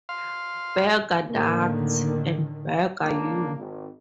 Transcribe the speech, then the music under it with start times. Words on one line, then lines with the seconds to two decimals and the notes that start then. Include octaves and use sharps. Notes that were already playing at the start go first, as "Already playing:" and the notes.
Bugger that and bugger you.
0.09 F5 C6
1.29 A2 D3 D#3 A#3
3.01 C#2 A#3 D4
3.57 G#1